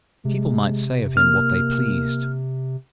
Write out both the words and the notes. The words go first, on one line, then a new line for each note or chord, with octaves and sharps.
People might say of him what they pleased.
C3 G#3
A#3 F6